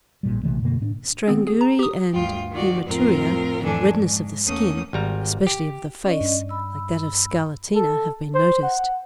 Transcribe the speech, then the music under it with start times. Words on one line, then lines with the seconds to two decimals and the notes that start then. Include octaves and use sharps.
Strangury and haematuria, and redness of the skin, especially of the face, like that of scarlatina, have been noticed.
0.23 A1 A#2 G3
0.43 A#1 C3 E3 A3
0.62 F#2 B2 D3 A#3
0.80 A2 C4 D4
1.28 D#3 B3 C4
1.47 G#4
1.61 A#5
1.79 G4 D#6
2.12 D2 G2 F4 G5
2.51 D#3 F4 F#4 D5
2.86 F2 A2 C4 F4 A#4
3.61 F2 A2 E3 D4 A4 G#5
3.92 G#2
4.46 E2 A3 A#3 C#4 D#6
4.93 G#1 G3 A#5
5.47 G4
6.05 C#4 D5 D#5
6.21 G2
6.49 B5 E6
7.75 A4
8.35 C5
8.63 F#5